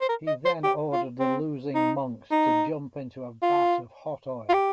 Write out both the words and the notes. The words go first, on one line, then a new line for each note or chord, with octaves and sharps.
He then ordered the losing monks to jump into a vat of hot oil.
C5
A#4
D#5
C5
G4
F4
C4
D#4
D#4
F4
F4
G4